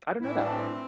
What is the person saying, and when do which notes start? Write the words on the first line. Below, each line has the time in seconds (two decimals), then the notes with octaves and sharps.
I don't know that one.
0.21 A2 E3 E4
0.35 D4
0.49 C4